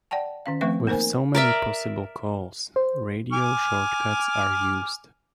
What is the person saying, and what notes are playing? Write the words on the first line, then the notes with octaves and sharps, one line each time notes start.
With so many possible calls, radio shortcuts are used.
D5 F#5 G5 A5
D#3 C#4 F5
F3 A3 C4 B4 E5 C#6
A#3 D#4 A#4 C5 G#5
A#4 D5 E5
C5
G#5 D6 F6